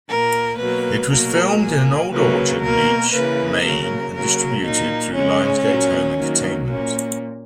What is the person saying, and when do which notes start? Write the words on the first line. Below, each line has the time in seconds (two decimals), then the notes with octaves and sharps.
It was filmed in Old Orchard Beach, Maine and distributed through Lionsgate Home Entertainment.
0.09 A#2 A#3 A#4
0.59 B2 F#3 A#3 B4
1.10 B2 F#3 A#3 A#4
1.61 A#2 A#3 G#4
2.12 C#3 F#3 A#3 B4
2.62 B2 A#3 A#4
3.13 C#3 E3 A#3 B4
3.64 C#3 F#3 A#3 A#4
4.14 C#3 F#3 A#3 A#4
4.65 A#2 A#3 D#4
5.16 C#3 G#3 C#4
5.67 A#2 F#3 A#3
6.17 D#3 F#3 A#3
6.68 A#2 A#3 C#4